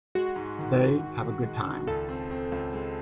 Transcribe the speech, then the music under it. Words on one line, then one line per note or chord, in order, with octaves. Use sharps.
They have a good time.
G#3 F#4
G#2
D#3
G#2
G#2
D#3
G#3
D#3
C#2 A4
C4
C4
C#2
G#3